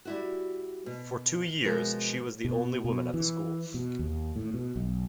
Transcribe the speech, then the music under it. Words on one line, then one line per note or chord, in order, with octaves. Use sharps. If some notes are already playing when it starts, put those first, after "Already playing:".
For two years, she was the only woman at the school.
G3 E4 F#4
B2
B2 F3 G#3 A#4
B2
B2
E3
B2
D#2
A2
B2
B1